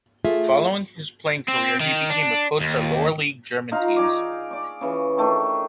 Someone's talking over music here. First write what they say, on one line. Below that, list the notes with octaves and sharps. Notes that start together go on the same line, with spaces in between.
Following his playing career, he became a coach for lower-league German teams.
A3 F4 G#4 E5
C4
D#3
D4
D#2
D#4 F4 F5 A#5
D#4 G#4 D5 D6
D5 D6
C#3 E3
D#3 A3 D4